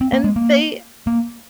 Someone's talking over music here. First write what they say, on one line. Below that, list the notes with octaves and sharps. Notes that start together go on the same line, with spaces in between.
and they
C4
A#3
G#3
A#3
A#3